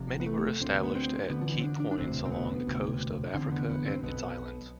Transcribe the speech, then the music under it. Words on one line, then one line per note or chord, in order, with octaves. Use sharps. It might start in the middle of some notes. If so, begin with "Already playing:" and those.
Many were established at key points along the coast of Africa and its islands.
Already playing: F1 F2 C3
B3
A3
D2 D3 C4
B3
C4
D2 D3 B3
F3
E3
C4
D4
D4
D4
E1 D2 C3 C4
C4
B3
E1 D2 C3
F1 E2 D3 C4
B3
B3
C4
B1 B2 B3